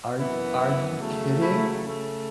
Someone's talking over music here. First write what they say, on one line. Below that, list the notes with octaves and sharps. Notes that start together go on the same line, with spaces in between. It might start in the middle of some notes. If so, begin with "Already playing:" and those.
Are are you kidding?
F#2 E3 B3 E4
E4
C#3 F#3 A3
E4
C#3 A3